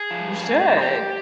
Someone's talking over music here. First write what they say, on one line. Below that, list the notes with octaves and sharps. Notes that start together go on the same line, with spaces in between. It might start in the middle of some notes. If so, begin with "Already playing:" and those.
You should.
Already playing: G#4
F3
G2
G#2
G#2
F2 G4